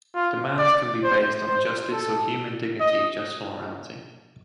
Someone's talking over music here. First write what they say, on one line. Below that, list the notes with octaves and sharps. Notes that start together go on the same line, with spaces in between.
Demands can be based on justice or human dignity just for morality.
F4
D5
C5
C5
A4
D#5